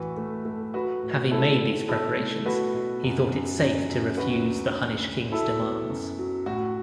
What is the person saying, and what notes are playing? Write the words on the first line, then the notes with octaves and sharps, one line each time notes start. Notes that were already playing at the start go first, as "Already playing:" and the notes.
Having made these preparations, he thought it safe to refuse the Hunnish kings' demands.
Already playing: A2 E3 F#4 B4
A3
A3
F#3 F#4 B4
A2
A3 E4 A4
A2
B2 E4 A4
A3
A3 F#4 B4
B2
F#2
F#2
F#2
F#2
D2 F#4 B4
D2
D2
D2
F#3 E4 A4
B3
F#2
F#3
A2 F#4